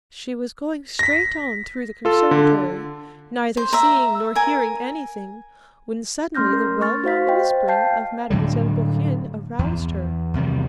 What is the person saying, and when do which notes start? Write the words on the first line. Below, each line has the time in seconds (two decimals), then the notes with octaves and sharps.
She was going straight on through the conservatory, neither seeing nor hearing anything, when suddenly the well-known whispering of Mademoiselle Bourienne aroused her.
0.99 A#6 B6
2.05 F4 A4
2.31 D3
3.57 C5
3.73 E5 A#5
4.35 A#4 G#5
6.35 A3 C#4 C6 F6 G6 A#6
6.53 A#4
6.81 C#6 F6 A6
7.04 F#4 C5 F5 B6
7.27 C5 D#5 G5
7.68 F5 G5 A5 G6 C7
8.30 A2 D3 F#3 G3
9.59 E2
10.34 E2 C3 D#3 G3